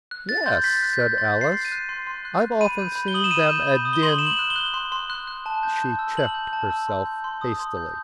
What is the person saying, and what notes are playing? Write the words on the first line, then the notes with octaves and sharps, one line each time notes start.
'Yes,' said Alice, 'I've often seen them at dinn--' she checked herself hastily.
F#6
F#6 A6
C6 G6
C6 B6
A6
F#6
G6
F#6
C6 A6
C6
C7
F#6
D#7
F#6
C6 C7
C6
F#6
F#6
B5 D#7
G6
B5
G7
D#6 F#7
E7
B5 D#7
G6
B5
D#6
G7
C6 F#7
C6 E7
F#7
F#6
G7
F#6
C6
C6
F#6
F#6
A5
G6
A5
E6
A5 F#7
G6
A5
E6
C6
G6
C6
D#6
C6
G6